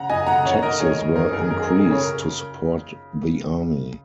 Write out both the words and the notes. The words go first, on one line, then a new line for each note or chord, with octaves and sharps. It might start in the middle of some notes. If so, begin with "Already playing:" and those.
Taxes were increased to support the army.
Already playing: C#3 F#5 A#5
F#2 D#5 G#5
C#3 F#5 A#5
C#3 C#5 F#5
D#3 A#4 D#5
D#3 G#4 C#5
D#3 A#4
D#3 A#4
F#2 A#4
G#4
F#2 A#4
G#4
F#2 A#4
G#4
C#3
G#4 C#5
A#4